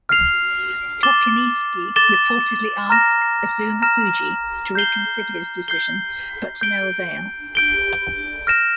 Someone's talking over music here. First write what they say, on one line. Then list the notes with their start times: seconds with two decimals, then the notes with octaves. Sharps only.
Tochinishiki reportedly asked Azumafuji to reconsider his decision, but to no avail.
0.09 F6 C7 F7
1.03 D6 A6 E7 G7
1.96 D6 A6 E7 G7
2.90 A#5 F6 A#6 E7
3.82 A#5 F6 A#6 E7
4.75 G6 C7 G7
5.68 G6 C7 G7
6.61 G6 D7 G7
7.55 G6 D7 G7
8.47 F6 A#6 E7